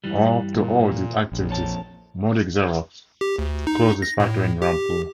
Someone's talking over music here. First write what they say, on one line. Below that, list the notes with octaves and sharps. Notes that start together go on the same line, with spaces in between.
After all these activities Modi Xerox closed its factory in Rampur.
G2 E3 G3
A#2
A#1
F2 C#5 A5
G4
D2
D#4
A#6
A2
G4